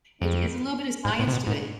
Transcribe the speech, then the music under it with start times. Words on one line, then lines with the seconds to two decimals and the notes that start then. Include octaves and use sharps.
It's it's a little bit of science to it.
0.22 F2
1.05 G#2
1.19 A2
1.27 C3
1.32 B2
1.47 G#2